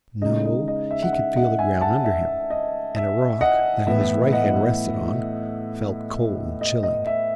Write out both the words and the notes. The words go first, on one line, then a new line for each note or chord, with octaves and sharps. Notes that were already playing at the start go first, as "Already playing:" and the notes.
No, he could feel the ground under him, and a rock that his right hand rested on, felt cold and chilling.
C#3 G#3 D#4 D#5
D#5
D#5
E5
F#5
E5
D#5 F#5
E5 G#5
F#5 A5
E5
D#5
E5
D#5 F#5
A2 E3 B3 E4 E5
D#5 F#5
D#5
D#5
E5